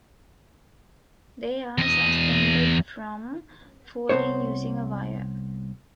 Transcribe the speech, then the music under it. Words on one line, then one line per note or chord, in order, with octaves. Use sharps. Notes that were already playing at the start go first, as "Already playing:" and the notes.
They are suspended from falling using a wire.
E2 D#5
C2 B3 C4 C5 C#5